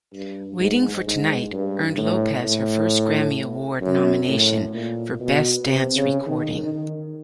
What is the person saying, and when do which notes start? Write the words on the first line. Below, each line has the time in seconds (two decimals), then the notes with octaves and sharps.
"Waiting for Tonight" earned Lopez her first Grammy Award nomination, for Best Dance Recording.
0.13 G2
0.59 G#2
1.06 G#2
1.52 G2
1.98 A2
2.43 A2
3.81 F#2
4.28 A2
4.73 A#2
5.20 B2
5.66 C3
5.96 C#3
6.26 D#3
6.57 D#3